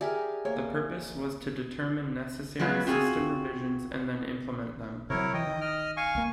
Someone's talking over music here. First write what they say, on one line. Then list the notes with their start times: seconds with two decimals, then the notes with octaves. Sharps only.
The purpose was to determine necessary system revisions and then implement them.
0.01 G4 G#4 A#4 D5 E5 G#5
0.45 A#3 C#5
2.60 F#3 G#3 B3 F4
2.87 C4 F4 F#4 G#4
5.10 C3 F#3 E4 A#4 C#5
5.34 E3 D#5 G5
5.47 D#3
5.61 D#5 F6
5.97 F5 G#5 C#6
6.15 C2 A#3